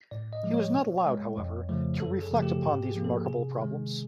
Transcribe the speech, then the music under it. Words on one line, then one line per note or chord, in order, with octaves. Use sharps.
He was not allowed, however, to reflect upon these remarkable problems.
A2 D5
D#5
F3 G#3
C#5
B2
G#3
F2
C#3 F3 A3
F#2 A4
G#4
C#3 F3 A3
G4
G#2 G4
G#4
F3 A#3
A4
C3 G#4
D#3 G#3